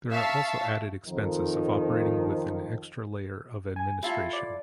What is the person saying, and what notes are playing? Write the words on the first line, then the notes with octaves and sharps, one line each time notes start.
There are also added expenses of operating with an extra layer of administration.
E5 F5 A5 C#6
F2 D#3 F3
G#5
E4 F4 G4 A4 E5 A5
D5